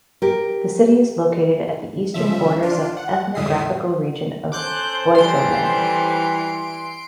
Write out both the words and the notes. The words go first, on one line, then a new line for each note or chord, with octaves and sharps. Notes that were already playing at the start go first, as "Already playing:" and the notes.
The city is located at the eastern borders of ethnographical region of "Boyko Land".
G4 A#4
C#3 F3 E5
D4 F4
F#5
F2 A2 D3 E5 D#6 C7
C#4 A4 C5 D6 F#6 G6
E3 G3 C6 D7